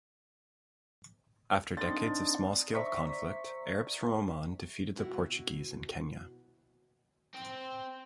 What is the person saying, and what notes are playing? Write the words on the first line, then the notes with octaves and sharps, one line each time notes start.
After decades of small-scale conflict, Arabs from Oman defeated the Portuguese in Kenya.
C4 D4 D#4 C6 A6
C5 D5 E5 A#5 C#6 B6
B2 E4 F#4
C4